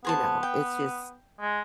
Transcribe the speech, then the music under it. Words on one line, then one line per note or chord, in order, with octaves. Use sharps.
You know, it's just
B3 G#4 C5 A5
G5
G#3